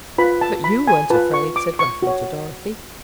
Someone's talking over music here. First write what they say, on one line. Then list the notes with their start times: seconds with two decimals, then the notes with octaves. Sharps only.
"But you weren't afraid," said Raffle to Dorothy.
0.18 F4 B4 B5
0.41 A5
0.64 B5
0.87 G#5
1.10 F4 B4 A5
1.34 C#6
1.56 D6
1.79 C#6
2.02 F#4 C#5